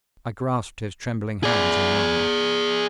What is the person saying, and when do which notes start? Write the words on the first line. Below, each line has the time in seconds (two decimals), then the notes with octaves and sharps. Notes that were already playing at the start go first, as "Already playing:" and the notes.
I grasped his trembling hands in mine.
1.44 G#4 D5